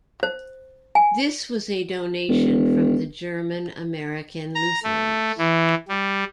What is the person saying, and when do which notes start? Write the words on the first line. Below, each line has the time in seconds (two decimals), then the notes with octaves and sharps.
This was a donation from the German-American Lutherans.
0.23 C5
0.95 G#5
2.28 E1
4.55 A#5
4.84 A3
5.38 E3
5.89 G3